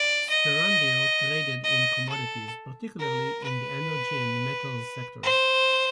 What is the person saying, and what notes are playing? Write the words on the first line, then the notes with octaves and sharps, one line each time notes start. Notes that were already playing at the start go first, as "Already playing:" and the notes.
Sperandeo traded in commodities, particularly in the energy and metals sectors.
Already playing: D5
D#5
D#5
A4
A#4
B4
C5